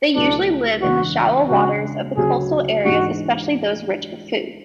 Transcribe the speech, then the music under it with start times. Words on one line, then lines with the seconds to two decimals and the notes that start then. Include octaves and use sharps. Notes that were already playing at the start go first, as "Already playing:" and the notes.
They usually live in the shallow waters of the coastal areas especially those rich of food.
0.15 C#2 B2 F#3 A3 D4 E4
0.82 E2 C#3 G#3 D4 F#4
1.49 C#3 G#3 D4 F#4
2.16 D2 C#3 F#3 G#4
2.84 G#2 E3 G#3 D4 F#4